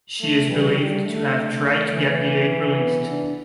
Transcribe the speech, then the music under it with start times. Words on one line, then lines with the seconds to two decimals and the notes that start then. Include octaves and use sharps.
She is believed to have tried to get the aid released.
0.21 A3
0.49 E3 G3
0.78 D3 G3
1.07 A3
1.92 E3
2.78 B3
3.08 D4